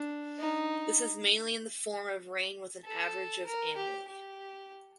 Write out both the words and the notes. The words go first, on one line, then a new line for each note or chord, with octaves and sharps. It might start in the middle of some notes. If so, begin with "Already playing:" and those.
This is mainly in the form of rain with an average of annually.
Already playing: D4
D#4
A4
A#4
G4
G4